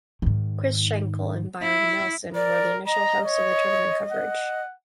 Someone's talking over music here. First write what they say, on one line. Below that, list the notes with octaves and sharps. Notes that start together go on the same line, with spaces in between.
Chris Schenkel and Byron Nelson were the initial hosts of the tournament coverage.
G#2 D#3
E4
A#4 D5
D#5 A#5
C#5
F#5